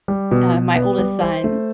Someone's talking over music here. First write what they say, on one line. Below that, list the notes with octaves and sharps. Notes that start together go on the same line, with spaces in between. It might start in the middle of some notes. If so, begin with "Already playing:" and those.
uh, my oldest son
G3
B2
B2
B3
G3
C5
A3